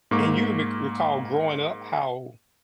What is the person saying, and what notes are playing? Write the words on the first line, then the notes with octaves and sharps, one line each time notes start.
and you re recall growing up how
G#2 A#3 C#6 D6